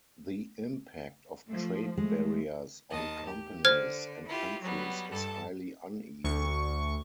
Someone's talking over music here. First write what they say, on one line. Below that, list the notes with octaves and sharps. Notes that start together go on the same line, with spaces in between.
The impact of trade barriers on companies and countries is highly uneven.
F3 A3
G#3 A3
D#2 D#5 A5
G4
D3 C5 F6 G#6
E4 F4 G4
F#3 G3 B3
G2 A4 A5
D2 C#6